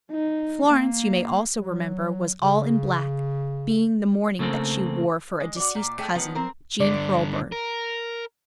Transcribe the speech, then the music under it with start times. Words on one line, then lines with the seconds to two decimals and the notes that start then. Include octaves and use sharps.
Florence, you may also remember, was all in black, being the mourning that she wore for a deceased cousin, Jean Hurlbird.
0.11 D#4
0.66 A#3
1.61 F#3
2.42 C#3
4.39 C#3 A3 A#3 C4
5.40 G#3
5.56 F#4 D5
5.75 A#2 D5
5.98 A3 G#4 G5
6.15 D#3 F3 G#3 B3 C#4
6.35 C4 A#4 C5
6.80 G2 D3 D5
7.52 A#4